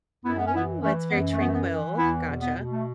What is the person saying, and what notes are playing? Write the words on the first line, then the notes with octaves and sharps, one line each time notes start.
Oh, it's very tranquil, gotcha.
F#2 B3 E4
B3
C#4
E3 B3 E4
E3 A3 C#4
F#2 B3
A3
E3 B3
A3
B3
E3
E2 B3 E4
B2
B3
B2
A3